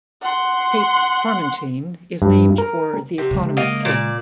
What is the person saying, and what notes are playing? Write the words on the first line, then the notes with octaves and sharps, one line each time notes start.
Cape Tormentine is named for the eponymous cape.
F#5 C6
G2
A#4
C3
C#3 G#3
A#3 D#5
A#2 D5